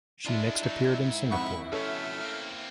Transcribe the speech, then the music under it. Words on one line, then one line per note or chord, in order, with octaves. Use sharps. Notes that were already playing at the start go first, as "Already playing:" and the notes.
She next appeared in Singapore.
G#3 D4 E4 F4 E5
F#3 D#4
G#2
F2 F#5 B5 C#6
F2 B2 A3 C#4 A4 F6
A#3 C4